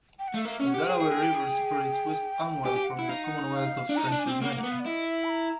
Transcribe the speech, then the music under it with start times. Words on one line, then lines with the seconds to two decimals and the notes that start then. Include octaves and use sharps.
The Delaware River separates West Amwell from the Commonwealth of Pennsylvania.
0.19 G5
0.28 F#5
0.34 A3 F5
0.45 A#3 E5
0.60 C#4
0.67 F#5
0.74 G4
0.89 G#4 G5
1.00 G#4
1.11 G#4
1.22 G4
1.33 G#4
2.65 G4 G#5
2.76 G4
2.84 F5
2.87 F#5
2.99 E4
3.09 D#4 F5
3.24 F#5
3.53 F5
3.89 D4
3.96 D#4 A#5
4.08 D4 A5
4.19 G#5
4.27 C4 G5
4.42 A#3 F#5
4.56 F#5
4.63 B3
4.71 F5
4.80 D5
4.86 E4 D#5
5.08 E5
5.24 B5
5.30 A#5